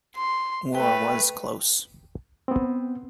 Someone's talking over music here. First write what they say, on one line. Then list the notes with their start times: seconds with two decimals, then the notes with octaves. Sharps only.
War was close.
0.16 C6
0.75 A3 B4 G5
2.48 B3 C4